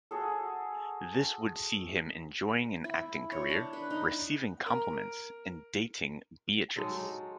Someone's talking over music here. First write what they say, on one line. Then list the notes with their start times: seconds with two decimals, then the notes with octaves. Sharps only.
This would see him enjoying an acting career, receiving compliments, and dating Beatrice.
0.11 F#4 G#4 A4
2.84 E4
3.32 C#5
3.50 D4
3.73 B4
3.90 D#4
4.66 A#4
6.76 F#3 G#3 D#4 A4